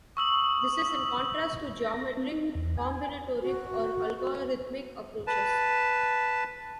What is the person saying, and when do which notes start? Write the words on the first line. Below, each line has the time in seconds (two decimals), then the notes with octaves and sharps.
This is in contrast to geometric, combinatoric, or algorithmic approaches.
0.17 C#6 D#6 E6 F#7
1.82 A#6
2.17 C4
2.32 D#4
2.55 E2
2.77 G#5
3.42 F#4
5.27 B4 A5